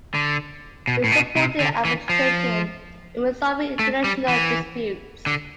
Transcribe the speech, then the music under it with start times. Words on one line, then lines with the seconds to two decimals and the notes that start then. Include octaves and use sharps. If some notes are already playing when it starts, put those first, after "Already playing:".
He supported arbitration in resolving international disputes.
0.15 D3
0.88 B2
1.04 A2
1.12 B2
1.37 C3
1.60 D3
1.85 E3
2.09 F3
3.79 A3
4.04 G3
4.28 E3
5.26 D3